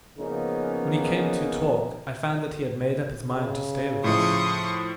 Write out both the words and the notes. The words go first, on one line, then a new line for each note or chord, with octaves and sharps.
When we came to talk, I found that he had made up his mind to stay with us.
C#3 F3 A#3 B3 C#4 D#4
C#3
A2 F3 C6 C#6 D#6